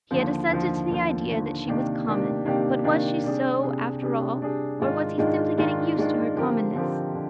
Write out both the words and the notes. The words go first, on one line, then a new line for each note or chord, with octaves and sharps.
He had assented to the idea that she was "common"; but was she so, after all, or was he simply getting used to her commonness?
D#2 D3 F3
D#2 D3 F3
D#2 D3 F3
D#2 D3 F3
C3 D#3 A#3 D4 G4
C3 D#3 A#3 D4 G4
C3 D#3 A#3 D4 G4
C3 D#3 A#3 D4 G4
C3 G3 D4 G#4
C3 G3 D4 G#4
C3 G3 D4 G#4
C3 G3 D4 G#4
G#2 D#3 G#3 D4 F4
G#2 D#3 G#3 D4 F4
G#2 D#3 G#3 D4 F4
G#2 D#3 G#3 D4 F4
D3 F3 C4 G4 A#4
D3 F3 C4 G4 A#4
D3